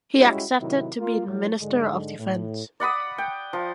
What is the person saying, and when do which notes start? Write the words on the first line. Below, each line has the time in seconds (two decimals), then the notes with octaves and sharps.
He accepted to be minister of Defense.
0.18 G3 G#3 C#4 E4 F#4 G4
0.60 A2 C3 D#3 F#3 E4
0.99 A#3 F4
1.27 A2 F#3
1.60 G#2 D3 G#3
2.19 A2
2.80 D5 F#5 B5 D#6
3.18 G5
3.53 F3